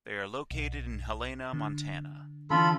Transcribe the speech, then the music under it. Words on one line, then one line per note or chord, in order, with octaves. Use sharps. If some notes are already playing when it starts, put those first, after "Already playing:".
They are located in Helena, Montana.
B1
D3
D3 E3 C#4 F4 A4 B5